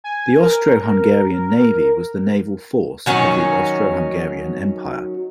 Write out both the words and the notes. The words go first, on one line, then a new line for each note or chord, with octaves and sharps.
The Austro-Hungarian Navy was the naval force of the Austro-Hungarian Empire.
G#5
A#4
D#3 F#3 C#4